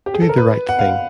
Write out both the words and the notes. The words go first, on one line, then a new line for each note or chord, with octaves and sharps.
Do the right thing.
G4
G#4
A4
A#4
B4
F#5
F5